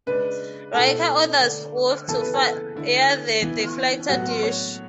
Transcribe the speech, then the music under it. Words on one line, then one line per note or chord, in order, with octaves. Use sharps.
Riker orders Worf to fire the deflector dish.
C#3 G#3 D4 B4
B2 A3 C#4 E4 A4
D3 A3 D4
C#3 E3 B3 E4 A4
B4
A4
D3 A3 E4
E3 B3 E4
A2 F#3 B3 F#4
C#5